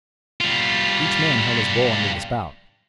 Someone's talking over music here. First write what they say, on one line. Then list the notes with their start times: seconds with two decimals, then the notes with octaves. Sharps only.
Each man held his bowl under the spout.
0.41 G3 F4